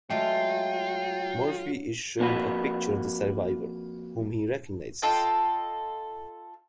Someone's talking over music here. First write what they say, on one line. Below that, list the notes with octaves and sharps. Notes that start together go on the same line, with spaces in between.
Murphy is shown a picture of the survivor, whom he recognizes.
F#3 G#3 A3 F4 G5
F2 A#3 C#4 F#4 B4
F4 A4 D#5 G5